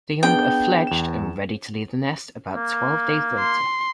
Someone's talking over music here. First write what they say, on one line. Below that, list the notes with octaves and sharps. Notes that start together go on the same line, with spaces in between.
The young are fledged and ready to leave the nest about twelve days later.
B3 D4 G#4 G5
E2 E7
A#3
C6